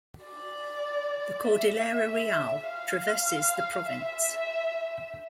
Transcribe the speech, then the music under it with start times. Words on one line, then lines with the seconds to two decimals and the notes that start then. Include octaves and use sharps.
The Cordillera Real traverses the province.
0.24 D5
1.44 E5
2.66 F5
3.86 E5